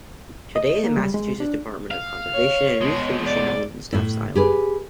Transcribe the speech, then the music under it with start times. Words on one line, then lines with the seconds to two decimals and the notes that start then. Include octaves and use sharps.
Today the Massachusetts Department of Conservation and Recreation owns and staffs the island.
0.56 D#5
0.84 A#3
0.97 G3
1.14 G#3
1.40 D4
1.91 F5
2.33 C#5
2.81 B2 G#3
3.25 D5
3.92 A2 E4
4.35 G4 G#4 B4